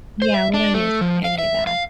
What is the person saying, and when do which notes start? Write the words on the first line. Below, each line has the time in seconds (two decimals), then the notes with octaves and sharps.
Yeah, we don't use any of that.
0.22 C5
0.34 E5
0.54 D4
0.74 A3
1.01 F3
1.24 F5
1.39 E5
1.67 F5